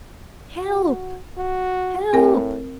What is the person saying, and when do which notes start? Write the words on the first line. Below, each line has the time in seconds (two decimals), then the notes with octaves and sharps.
"Help, help!"
0.62 F#4
1.37 F#4
2.13 A2 C4 A#4 G#5